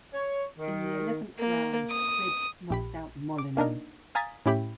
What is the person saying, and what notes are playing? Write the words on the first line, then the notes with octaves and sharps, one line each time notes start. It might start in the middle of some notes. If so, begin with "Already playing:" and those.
In the eleventh round Cribb knocked out Molineaux.
C#5
D#3
A#3
D#6
A#1 G4 B5
D6
A#3 D4 D#4 A#4
F5 G#5 A#5 D#6 A6 B6
A2 C#4 E4 G4 G5 B5